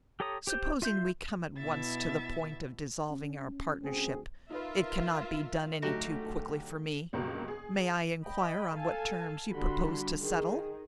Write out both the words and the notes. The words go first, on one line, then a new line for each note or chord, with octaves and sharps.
"Supposing we come at once to the point of dissolving our partnership; it cannot be done any too quickly for me. May I inquire on what terms you propose to settle?"
G4 A4 C#5 A#5 D#6
G4 C5 G6
F4 E5 C6 G6
B2 B3 E4 E5 A6
C#4
D2 C4 G#4
D#4 F4 A#4 B4 E5
D2 F#3 A3 D#4 F#4 G4 A4
C#2 G2 B2 F#3 A#3
G#4
D#5 G5 B5
A4 F5 G#5 A5
D3 G3 D4 F#4 B5 C6
D#3 G#4